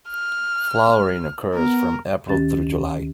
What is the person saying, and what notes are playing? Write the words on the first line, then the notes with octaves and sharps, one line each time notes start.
Flowering occurs from April through July.
F6
B3 A#4
D2 D#3 C#4 G4 A6